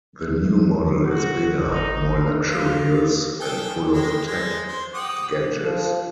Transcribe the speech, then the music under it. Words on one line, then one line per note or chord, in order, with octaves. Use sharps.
The new model is bigger, more luxurious and full of tech gadgets.
F#4
G#1 D#4
F4
G#4 A4 G5
G#3 G5
G#3
C5
G4 F#5 D#6
F3